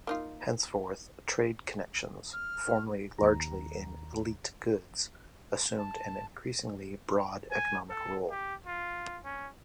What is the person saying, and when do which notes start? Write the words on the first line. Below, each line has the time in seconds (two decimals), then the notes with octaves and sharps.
Henceforth trade connections, formerly largely in elite goods, assumed an increasingly broad economic role.
0.07 A#3 D#4 F4
2.33 F6
3.19 D#2 A#5
5.78 A5
7.51 G#5
7.89 A4
8.30 G4
8.66 F4
9.24 C#4